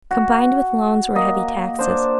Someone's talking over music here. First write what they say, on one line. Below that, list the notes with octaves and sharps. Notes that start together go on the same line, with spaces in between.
Combined with loans were heavy taxes.
F#4
A#3 D#5
D4 C5